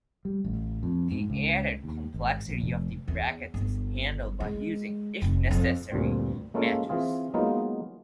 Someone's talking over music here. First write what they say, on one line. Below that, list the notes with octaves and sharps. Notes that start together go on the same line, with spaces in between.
The added complexity of the brackets is handled by using "if necessary" matches.
G3
A1
F2
G#2
C#2
D#2
G#1
A#1
F1
E2
G1
G#3
F1
F2
D2 G2 A#2 C4
G#3 A#3 C#4 F4 A4
E3 C4 F4 G#4
F#3 G#3 A#3 B3 D#4 F4